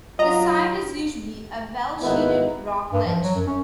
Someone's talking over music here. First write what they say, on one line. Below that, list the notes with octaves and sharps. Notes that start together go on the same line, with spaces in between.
The site is usually a well-shaded rock ledge.
F#3 F4 D#5 A#5
G#1 A#3 B3 D#4 E4 B4
G2
F3
F#3
F#2
C#4